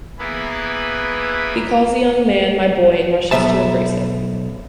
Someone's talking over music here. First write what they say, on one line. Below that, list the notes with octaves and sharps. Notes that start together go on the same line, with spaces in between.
He calls the young man "my boy" and rushes to embrace him.
E3 A#3 B3 E4 G#4 B4
B1 F2 F#3 B3 E5 A5